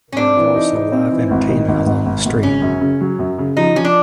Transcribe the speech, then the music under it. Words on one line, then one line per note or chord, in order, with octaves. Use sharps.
There is also live entertainment along the street.
C#4
C4 D4
E3
D#4
D#4
C4
E3
G#1
D#3
G#1
G#1
G#1
G#1
C#3 C#4
F#2
C#3
F#3
F#2
C#3
F3 D#4
F3 C#4
D4